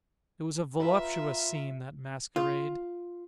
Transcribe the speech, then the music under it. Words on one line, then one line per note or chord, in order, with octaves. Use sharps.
It was a voluptuous scene, that masquerade.
F4 B4 E5 A#5
F4